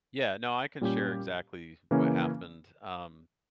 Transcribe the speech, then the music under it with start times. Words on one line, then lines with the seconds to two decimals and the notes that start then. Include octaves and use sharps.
Yeah, no, I can share exactly what happened. Um,
0.81 A#2 G3 C#4 G4
1.91 C#3 E3 A#3 C#4